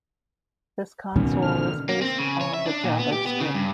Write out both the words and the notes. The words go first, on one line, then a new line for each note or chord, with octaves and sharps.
This console is based on the JavaScript.
B2 D#3 E3 C#4
D3 F6
A#3
C4
C#3
C#5
E5
D4
A#2
B3
G4
B3
C#3
G2